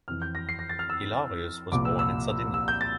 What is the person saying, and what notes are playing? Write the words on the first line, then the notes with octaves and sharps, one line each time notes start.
Hilarius was born in Sardinia.
F2 E3 F6
G6
A#6
C7
A#6
A6
F6
E6
C2 A#2 F3 D6
E6
E6
E6
G6
A6